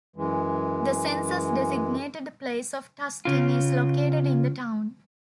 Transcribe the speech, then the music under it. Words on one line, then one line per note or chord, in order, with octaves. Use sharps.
The census-designated place of Tustin is located in the town.
F#2 E3 G#3
C#3 F4